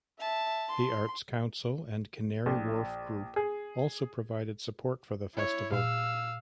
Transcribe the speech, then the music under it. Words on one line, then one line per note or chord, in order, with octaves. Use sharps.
The Arts Council and Canary Wharf Group also provided support for the festival.
E5 A5
C6
A#1
G#4
E4 C#5
A#2 F5 E6